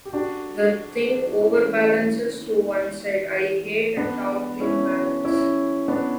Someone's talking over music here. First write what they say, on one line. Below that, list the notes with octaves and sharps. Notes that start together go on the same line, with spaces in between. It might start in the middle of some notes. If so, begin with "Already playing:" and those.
The thing overbalances to one side — I hate a toppling balance.
G4
D4 F#4
C#4 E4
B3 D4
C#4 E4
C#4 E4
B3 D4